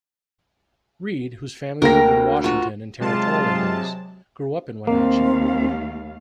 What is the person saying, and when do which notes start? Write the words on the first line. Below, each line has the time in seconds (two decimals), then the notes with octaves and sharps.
Reed, whose family lived in Washington in territorial days, grew up in Wenatchee.
1.82 D2 A#3 A#4 G5 A#6
2.44 F4 F#4
3.00 C3 F#3 G#3 F4 A5
4.87 D#2 A3 A#3 C4 F5